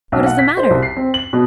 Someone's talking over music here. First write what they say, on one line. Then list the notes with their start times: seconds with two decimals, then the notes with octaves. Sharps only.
"What is the matter?"
0.12 B1
0.26 F#5
0.39 B6
0.57 C5
0.70 C2
0.83 C7
0.97 C4
1.14 F#7
1.33 B2